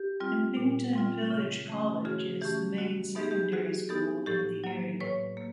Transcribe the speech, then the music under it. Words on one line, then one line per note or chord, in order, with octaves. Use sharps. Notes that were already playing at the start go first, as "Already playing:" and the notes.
Impington Village College is the main secondary school in the area.
Already playing: G4
G3 C4 F4
A#2
G3 C4 F4
C#3
E3 A3 C#4
C#3 F#4 G#4
E3 A3 C#4 G4
F#3 F#4
B3 D#4 G4
G#4
G4
F#3 F#4 G#4
B3 D#4 G4 A4
A2 G4 A4
F#3 A#3
A2 B4 C#5
A#3